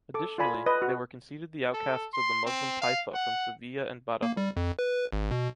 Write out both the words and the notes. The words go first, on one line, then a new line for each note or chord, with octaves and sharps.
Additionally, they were conceded the outcasts of the Muslim taifa from Sevilla and Badajoz.
A4 D6
F4 A4 D5 G#5 B5
B4 D#5
F#4
A4
C6
C4
F5
F#5
A#3
G3
F2
B4
G#1
B2